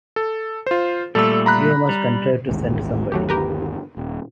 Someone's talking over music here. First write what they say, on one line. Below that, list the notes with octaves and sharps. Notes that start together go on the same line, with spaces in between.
You must contrive to send somebody.
A4
F4 C5
A#2 G3 A3 A4 E6
A#5 B5 F#6
G3
A1 D#2 G#2
G1 D#2 F#3 A3 G4
G4 A#4 B4
D#1